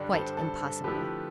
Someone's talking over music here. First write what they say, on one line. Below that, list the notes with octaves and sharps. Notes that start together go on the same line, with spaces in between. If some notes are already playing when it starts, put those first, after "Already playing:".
Quite impossible!
Already playing: G2 D3 G3 D4
A4 C5
A4
A4
D3 F3 A3 E4 G4 B4